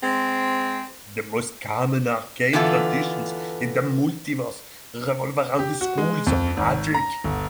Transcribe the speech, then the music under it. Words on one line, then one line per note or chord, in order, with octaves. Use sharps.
The most common arcane traditions in the multiverse revolve around the schools of magic.
G#3 C4
D3 E3 B3 F4 A4
G4
F#4
G#3
F2
G#1
A#5
G1